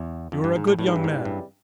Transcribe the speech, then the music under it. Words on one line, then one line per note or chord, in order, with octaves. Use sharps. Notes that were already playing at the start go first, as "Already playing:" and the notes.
You are a good young man.
Already playing: E2
F2
G2
G#2
A2
A2 C#3 E3 G3 C4 E4
G#2
G2
G#2
G2